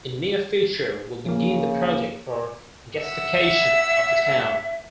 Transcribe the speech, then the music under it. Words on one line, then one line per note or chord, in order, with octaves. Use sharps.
In near future will begin the project for gasification of the town.
C#3 F3 A#3
E5 F#5 E6